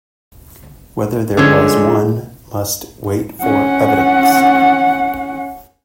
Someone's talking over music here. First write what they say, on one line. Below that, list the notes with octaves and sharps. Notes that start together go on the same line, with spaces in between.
Whether there was one must wait for evidence.
D3 F3 G#3 C#4
C#4 F#5